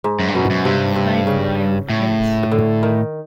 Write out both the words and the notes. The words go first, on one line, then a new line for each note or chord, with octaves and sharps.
Five Mile Press.
G#2
F#2
G2
F#2 B2
F#2
G2 C3
C3
C#3
A2
D3
D#3